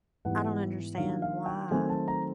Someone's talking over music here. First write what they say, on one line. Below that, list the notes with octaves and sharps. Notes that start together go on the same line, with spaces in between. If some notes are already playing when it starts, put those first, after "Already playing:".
I don't understand why
G#2 E3 G3 B3 F#5
D#3 G3 A#3 D4 F4 F5
F5
G5
D#3 F#3 A3 C4 D#4 G#5
A5
A#5